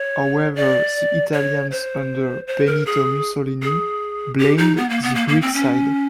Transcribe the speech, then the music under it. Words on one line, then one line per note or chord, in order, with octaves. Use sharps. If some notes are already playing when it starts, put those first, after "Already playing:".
However, the Italians under Benito Mussolini, blamed the Greek side.
Already playing: C#5
D5
C#5
C5
C5
A#4
G#4
G#4
G4
D#4
B3
A#3
B3
A#3
A#3
C4
C#4